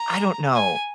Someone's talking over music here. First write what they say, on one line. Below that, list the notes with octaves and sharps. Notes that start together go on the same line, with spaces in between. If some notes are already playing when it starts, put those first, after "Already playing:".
I don't know.
Already playing: A#5
G#5